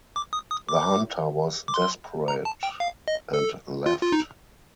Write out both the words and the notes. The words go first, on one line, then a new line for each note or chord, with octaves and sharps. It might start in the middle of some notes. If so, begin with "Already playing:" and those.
The hunter was desperate and left.
D6
D#6
D#6
D6
D6
C6
A#5
A5
G5
F5
D#5
A4
F4
F4
D#4